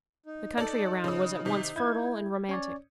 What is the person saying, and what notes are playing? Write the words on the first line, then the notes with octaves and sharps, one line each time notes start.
The country around was at once fertile and romantic.
D#4
A4 D5
C#3 D#6
C3 D#3
E4 G6 G#6
C#4 C#5 D5